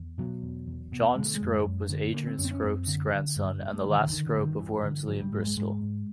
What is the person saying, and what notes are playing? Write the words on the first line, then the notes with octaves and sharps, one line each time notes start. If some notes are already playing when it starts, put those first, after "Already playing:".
John Scrope was Adrian Scrope's grandson and the last Scrope of Wormsley and Bristol.
Already playing: E2
B2 F#3
E2
E2
B2
D3 G#3
A3
G#3
F#2
F#2
D3
D3 A#3
C4
F#2 C#4
C4
C#4
F#2 C4
D3
D3
G2
G2
A3
D3 D#3
D3
D3 D#3
D3
G2
D#3
G2 E3
D3
G#2 F#3
G3
G#2 G#3
G3
G#3
G#2 G#3
G#2